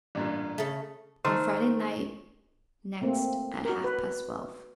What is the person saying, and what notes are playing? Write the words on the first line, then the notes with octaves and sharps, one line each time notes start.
'On Friday night, next, at half-past twelve.'
A1 G2 A#2
C#3 A3
D#3 A3 C5
A3 A#3 C4
F#4 A#4
B4